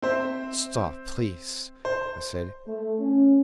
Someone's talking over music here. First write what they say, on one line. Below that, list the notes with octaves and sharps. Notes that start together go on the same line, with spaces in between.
"Stop, please," I said.
C4 C5 E5
C5
A3
C#4